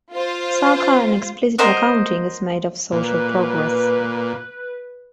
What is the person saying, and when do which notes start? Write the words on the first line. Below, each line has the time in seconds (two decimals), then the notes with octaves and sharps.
Sarkar an explicit accounting is made of social progress.
0.14 F4 C5
1.58 A#4 C5 D#5 F#5
2.92 A#2 B4